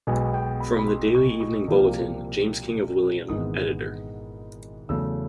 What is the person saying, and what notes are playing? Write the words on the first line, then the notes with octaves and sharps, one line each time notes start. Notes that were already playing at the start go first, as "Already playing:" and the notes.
From the "Daily Evening Bulletin", James King of William, Editor.
B1 B2 G#3 B3 G#5
G5
B5
B5
C6
C#6
C#6
C2 C3 F3 A#3
G#1 G#2 E3 G#3 B3 D#6
E2 C#3 F#3 A3 E6